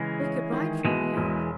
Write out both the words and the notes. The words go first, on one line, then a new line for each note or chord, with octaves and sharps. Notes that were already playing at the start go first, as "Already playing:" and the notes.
"We could ride from here."
Already playing: C#3 E3 G#3
C#4
D#3
B2 E3 G#3
E1